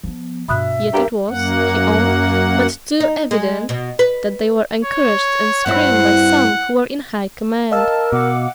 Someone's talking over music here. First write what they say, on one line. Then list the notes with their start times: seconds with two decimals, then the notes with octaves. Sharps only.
Yet it was, he owned, but too evident that they were encouraged and screened by some who were in high command.
0.03 F3 B3
0.48 G2 B2 E5 B5 D#6 F#6
0.94 D2 G2 G4 A#4 F5 A#5
1.29 F#2 A#3 F#5
3.00 D#4
3.31 G#3
3.69 B2
3.99 B4
4.85 C#5
5.66 G2 C4 E4 F#5
7.71 A#4 D#5 F5 A5 E6
8.12 B2 F#5 D6